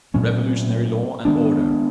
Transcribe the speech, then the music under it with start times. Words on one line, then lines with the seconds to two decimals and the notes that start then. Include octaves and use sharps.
Revolutionary law and order.
0.14 A#2 F#3 A3 C#4
1.25 D#3 G#3 B3 D4